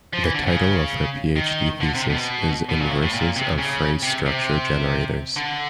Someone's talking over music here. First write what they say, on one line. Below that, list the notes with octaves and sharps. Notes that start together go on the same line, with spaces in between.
The title of her PhD thesis is "Inverses of Phrase Structure Generators".
F3
E3
D3
C#3
D#3
D3
C3
B2
B2
A#2
A2
A2
A#2
C3
C#3
C3
C3
D3